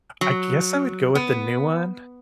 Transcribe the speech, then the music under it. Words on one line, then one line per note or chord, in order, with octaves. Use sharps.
I guess I would go with the new one.
F#3
B3